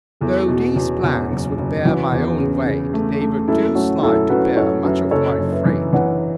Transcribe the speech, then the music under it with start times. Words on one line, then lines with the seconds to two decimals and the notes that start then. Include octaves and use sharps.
Though these planks would bear my own weight, they were too slight to bear much of my freight.
0.21 E2 E4 A4
0.41 E4
0.48 B2 C#4 F#4
0.76 E2 C#4 F#4
1.02 E2 C#4 F#4
1.30 F#1
1.58 F#1
1.85 E3 C#4 F#4
2.12 E2
2.39 C#3
2.66 C#3
2.94 A3
3.21 A3
3.48 F#2 E4 A4
3.75 A3 C#4 F#4
4.02 F#2 E4 A4
4.29 F#2 F#4 B4
4.57 F#2 A4 C#5
4.84 F#2 B4 E5
5.11 F#1 A4 C#5
5.38 F#1
5.52 B4 E5
5.65 E3
5.93 E3 C#5 F#5